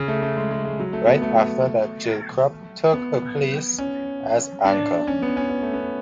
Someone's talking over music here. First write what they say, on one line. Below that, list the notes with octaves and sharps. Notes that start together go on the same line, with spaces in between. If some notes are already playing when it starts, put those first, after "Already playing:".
Right after that Jill Krop took her place as anchor.
Already playing: C#3
A3
A3
G#3
G#3
G#3
F#3
A3
B3
A3
B3
C#4
D4
C#4
B3
C#4
B3
A3
B3